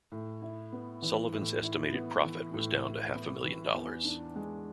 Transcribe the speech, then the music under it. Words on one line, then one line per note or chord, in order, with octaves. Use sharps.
Sullivan's estimated profit was down to half a million dollars.
A2
E4
B3
E3
A2
E4
B3
E3
A2
E4
B3
E3
E2
D4
G#3